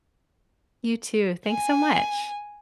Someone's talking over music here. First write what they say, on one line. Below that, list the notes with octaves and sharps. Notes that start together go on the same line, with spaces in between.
You too. Thanks so much.
G#5